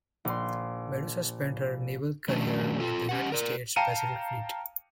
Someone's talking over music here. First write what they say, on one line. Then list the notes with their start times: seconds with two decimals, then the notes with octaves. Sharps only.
"Medusa" spent her naval career with the United States Pacific Fleet.
0.25 A#1 C6
2.28 F2 D#3 F#3 A3 C#4 D4
2.80 F4 A4
3.09 C#4 G4 F#5
3.32 A#4 D5
3.76 F5 G5 A5 A#5 C#7 D#7